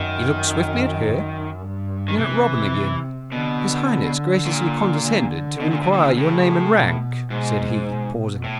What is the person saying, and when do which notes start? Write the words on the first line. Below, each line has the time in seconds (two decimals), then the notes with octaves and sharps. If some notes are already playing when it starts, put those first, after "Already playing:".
He looked swiftly at her; then at Robin again. "His Highness graciously condescended to enquire your name and rank," said he, pausing.
Already playing: F#2 D#3
1.04 F#2
1.61 G2
2.08 D#3
2.18 C3 E3
3.31 B2 D3
4.45 A#2
5.03 D3
5.60 B2
5.71 A#2
5.81 A2
5.92 A#2
6.17 A2 C#3
6.73 B2
7.30 G#2 B2
7.88 B2
8.44 A2